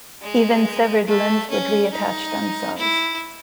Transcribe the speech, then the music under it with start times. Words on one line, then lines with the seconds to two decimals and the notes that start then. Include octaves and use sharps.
Even severed limbs would reattach themselves.
0.22 G#3
1.07 A3
1.50 C#4
1.93 D#4
2.78 E4